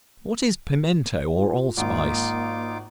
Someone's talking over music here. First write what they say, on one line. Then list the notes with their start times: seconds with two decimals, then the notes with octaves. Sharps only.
What is Pimento or Allspice?
1.32 F4
1.77 G#1 A#3 D#4 F4 D6